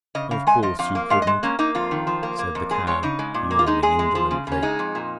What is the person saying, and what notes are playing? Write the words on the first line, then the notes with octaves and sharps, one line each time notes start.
"Of course you couldn't," said the Cow, yawning indolently.
C#3 D#5
C#3 F5
G#3 G#5
F3 D#5
F2 F5
A#3
G#3 F5
D#5
G#3
A#3 C#4
A#3 D#4
F2 F4
D#3
F3
A#3
A#3
F2
G#3 G#4
G#3 C#5
C#3 D#4
G#3
A#2
A#3
F4
G#3 D#4
G#3 G#4
G#3
F3
C#3
C#3 C#4
G#3 D#4
F2
A#2